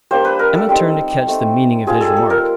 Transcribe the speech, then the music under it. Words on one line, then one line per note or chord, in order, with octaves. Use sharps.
Emma turned to catch the meaning of his remark.
G3 A#3 D4 C5
B4
A#4
A4
G3 C4 D#4
A3 C4 D#4
G3 C4 F4 G#4
A4
A4
A#4